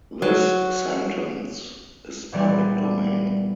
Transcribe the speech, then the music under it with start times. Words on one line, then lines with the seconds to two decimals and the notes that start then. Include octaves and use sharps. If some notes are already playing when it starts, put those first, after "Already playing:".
This sentence is public domain.
0.22 F#3
2.32 A#2 E3 G3 B3 D5